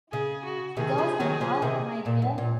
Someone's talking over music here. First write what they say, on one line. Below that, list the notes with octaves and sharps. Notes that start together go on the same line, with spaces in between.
Goes on how, my dear?
C#3 G#4
F#4
C3 D#3 G#4
C#3 F3
D#3 F#3
C#3 F3
C3 D#3
A#2
F#2
A#2